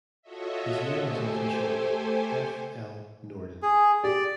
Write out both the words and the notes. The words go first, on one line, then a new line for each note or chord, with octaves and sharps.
His name is often shortened "F. L. Norden".
F4 F#4 A4 C#5 D#5 E5
A3 G4 A4 C5 G#5
G#4
G4 D5